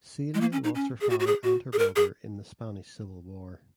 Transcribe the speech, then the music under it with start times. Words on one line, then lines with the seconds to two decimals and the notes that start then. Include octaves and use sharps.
Celia lost her father and her brother in the Spanish Civil War.
0.34 G#3
0.41 A#3
0.52 C#4
0.64 D#4
0.75 C#4
1.01 G#4
1.10 F#4
1.20 F#4
1.27 G#4
1.44 F#4
1.73 G#4
1.79 A#4
1.96 G#4